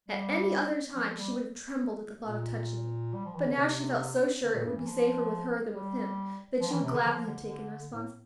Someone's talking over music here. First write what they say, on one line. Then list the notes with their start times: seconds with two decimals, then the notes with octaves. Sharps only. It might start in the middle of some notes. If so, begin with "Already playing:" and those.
At any other time she would have trembled at the thought of touching it; but now she felt so sure it would be safer with her than with him, that she would gladly have taken the responsibility.
0.09 G3
0.95 F3
1.17 G3
2.25 A#2
3.14 G3
3.25 F3
3.35 E3
3.46 D3
3.57 C3
4.43 D3
4.54 A#2
4.65 G2
4.76 E3
4.87 F3
5.74 G3
6.61 F3
6.71 E3
6.82 C3
6.93 D3
7.04 F3
7.26 D3
7.48 D3
7.91 A2